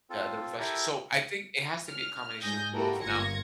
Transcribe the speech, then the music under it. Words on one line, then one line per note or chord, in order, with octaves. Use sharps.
the the reflection so, I think it has to be a combination of both; now,
C4 F4 A4
E4 G4 A4 A#4
F6
G#2 G#5 D#6 G6 A#6
A#3 E4 F#4 G4 A4 A#4
G1 A#3 F4 G#6 A#6 C#7